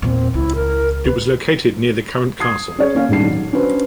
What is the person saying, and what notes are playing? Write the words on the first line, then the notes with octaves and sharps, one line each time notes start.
It was located near the current castle.
E2 A#2 C4
C#2 E4
A#4
D2 B4
D#6 G#6 C7
C#4 G#4 C#5
A#3 C#4 F5
D#1 G#2 G3 D4 C7
D#3 F#3
C#4 D4 F#4 B4 C5